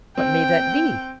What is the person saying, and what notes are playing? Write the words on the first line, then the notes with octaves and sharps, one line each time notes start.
What may that be?
C4 G5